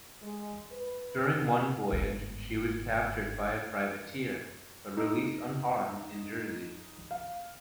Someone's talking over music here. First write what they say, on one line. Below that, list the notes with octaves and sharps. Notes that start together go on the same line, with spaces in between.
During one voyage she was captured by a privateer, but released unharmed in Jersey.
G#3
B4
G1 G#2
D#4
F5